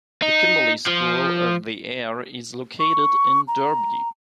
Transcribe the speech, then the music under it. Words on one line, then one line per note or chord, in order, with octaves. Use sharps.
The Kimberley School of the Air is located in Derby.
D#4
F3
C#6
A#5